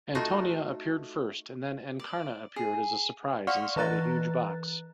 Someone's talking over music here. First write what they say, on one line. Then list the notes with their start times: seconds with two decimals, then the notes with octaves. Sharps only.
Antonia appeared first and then Encarna appeared as a surprise inside a huge box.
0.15 A3 D#4 F4 F#4
1.99 D5
2.56 G#4
3.47 D5 F5 F#5 C6 C#6 F6
3.76 E3 B4 A#5 F#6 A6